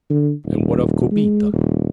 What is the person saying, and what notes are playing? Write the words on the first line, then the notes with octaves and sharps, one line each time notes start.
"And what of Kobita?"
D3
D#1
G#3
D#1